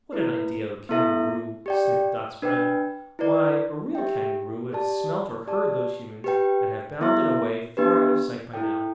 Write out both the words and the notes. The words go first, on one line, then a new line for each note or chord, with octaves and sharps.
"What an idea of a kangaroo!" sniffed Dot's friend, "why, a real kangaroo would have smelt or heard those Humans, and have bounded away far out of sight by now."
A3 E4 B4
B3 E4 A4 E5
G4 D5 G5
D4 B4 G5
E4 B4 D5
G4 E5 G5
G4 D5 A5
G4 D5 A5
G4 B4 G5
B3 E4 A4 E5
B3 D4 G4 B4
E4 A4 G5